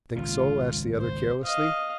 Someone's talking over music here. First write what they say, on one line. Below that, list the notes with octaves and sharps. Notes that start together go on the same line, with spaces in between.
"Think so?" asked the other carelessly.
G#1 C#2 A#2 F4
C5
D#5 F5